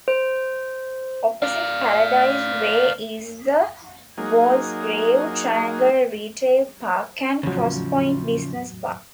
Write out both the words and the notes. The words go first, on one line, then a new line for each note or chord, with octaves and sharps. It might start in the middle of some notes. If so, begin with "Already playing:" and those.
Opposite Paradise Way is the Walsgrave Triangle Retail Park and Cross Point Business Park.
C5
D5 F5
F#3 A#3 D#4 G#4
E2 A2 C#3 F3 F#3